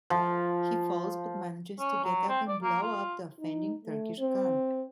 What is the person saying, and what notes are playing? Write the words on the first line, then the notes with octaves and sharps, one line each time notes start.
He falls, but manages to get up and blow up the offending Turkish gun.
F3
C#4
F#3
C4
D5
A#3
F4
D#4
A3
C4